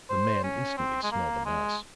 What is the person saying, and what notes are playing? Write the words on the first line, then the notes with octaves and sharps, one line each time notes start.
The man instantly smelled a mouse.
C5
C#4
C4
G#3
A#3
G#3